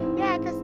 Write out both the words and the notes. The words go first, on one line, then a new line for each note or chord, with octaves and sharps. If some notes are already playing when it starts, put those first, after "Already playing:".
Yeah, 'cause
Already playing: G#2 E3 C4 E4